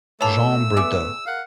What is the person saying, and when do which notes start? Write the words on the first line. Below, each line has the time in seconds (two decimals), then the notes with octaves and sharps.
Jean Bridaux.
0.21 E3 A3 A#3 C#5 A5 E6
0.76 A3 B3 G#4 D5 E5
1.26 A#4 F5 F#5